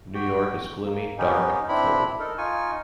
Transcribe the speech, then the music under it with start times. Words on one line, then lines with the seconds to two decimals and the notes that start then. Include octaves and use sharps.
New York is gloomy, dark and cold.
0.14 F#4 G4 G5
0.85 A#3
1.18 B3 C#4 D#4 G4
1.68 C4 D4 E4 B5
2.20 D#4 A4 A#4
2.38 D#4 F4 G#5 C#6